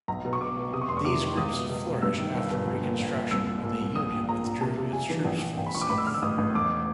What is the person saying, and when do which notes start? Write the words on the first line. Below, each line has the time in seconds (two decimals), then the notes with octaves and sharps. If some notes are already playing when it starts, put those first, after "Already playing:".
These groups flourished after Reconstruction when the Union withdrew its troops from the South.
0.08 B1 A#5
0.25 B2
0.33 C#6
0.40 B2 D6
0.57 B2
0.73 C3 D#6
0.81 C#6
0.88 F1 C6
0.97 C#6
1.05 C3 D6
1.22 D#3
1.37 C#2 D#6
1.53 B2
1.69 B2
1.87 B2
2.02 G2 E6
2.18 D#3
2.34 G1
2.50 G1
2.67 A#1
2.83 A#2
3.00 A#1
3.15 A#2
3.31 C2 E6
3.47 A#2
3.63 A#2
3.81 C2
3.96 A#1 D#6
4.12 A#2
4.29 A#2 A#5
4.44 A#2
4.60 C3 A5
4.78 C3
4.93 C3 G#5
5.10 E3
5.25 A#1
5.42 A#1
5.57 A#1 G5
5.66 B5
5.75 A#1 C#6
5.81 D6
5.90 A1 B5
5.98 E6
6.07 D3 F6
6.14 E6
6.22 A1 D#6
6.38 A1
6.55 E1 D6